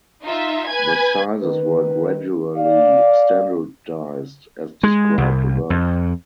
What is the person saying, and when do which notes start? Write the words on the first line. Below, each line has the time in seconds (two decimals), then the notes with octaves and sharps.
The sizes were gradually standardized as described above.
0.25 D#4 F4 E5
0.68 B4 G#5 G#6
1.42 D#3 B4
2.57 D5 F5
4.83 G#3
5.18 C2
5.70 F2